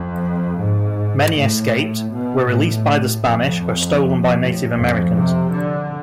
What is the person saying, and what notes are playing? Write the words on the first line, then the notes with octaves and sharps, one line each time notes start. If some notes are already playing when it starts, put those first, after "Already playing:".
Many escaped, were released by the Spanish or stolen by Native Americans.
Already playing: F2
G#2
A2
B2
A2
F2
A2
F2
C3
D3